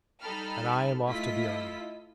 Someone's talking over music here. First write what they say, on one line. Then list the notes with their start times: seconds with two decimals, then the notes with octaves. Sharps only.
And I am off to the army.
0.20 G3 D#4 A4 G5 B5 F6
1.06 A3 E4 F4 D#5 B6